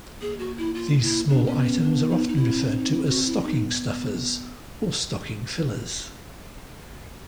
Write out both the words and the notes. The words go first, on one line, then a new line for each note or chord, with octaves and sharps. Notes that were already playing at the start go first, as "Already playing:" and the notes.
These small items are often referred to as stocking stuffers or stocking fillers.
A#3 G#4
F#4
E4
F4
E4
B3 D4
C#4
C#4
D4
D#4
D#4
C4 E4
D4
D#4
E4
F#4
E4
B3 D#4